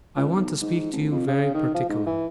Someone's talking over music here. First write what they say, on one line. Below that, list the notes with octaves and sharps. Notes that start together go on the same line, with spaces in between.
'I want to speak to you very particularly.
C#2
B1
G#2
A1
F2
C#3
D#3
F3
G#2
E3